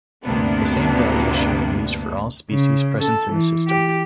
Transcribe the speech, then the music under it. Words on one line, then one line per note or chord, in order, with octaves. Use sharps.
The same values should be used for all species present in the system.
D2 G2 C3 A#3 B3 D4
C#3
A4
E3
G4